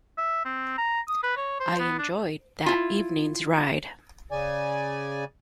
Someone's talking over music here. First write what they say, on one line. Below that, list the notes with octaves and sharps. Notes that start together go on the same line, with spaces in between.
I enjoyed that evening’s ride.
E5
C4
A#5
D#6
B4
C#5
C5
B3
D4
E4 F4
C#3 D5 G#5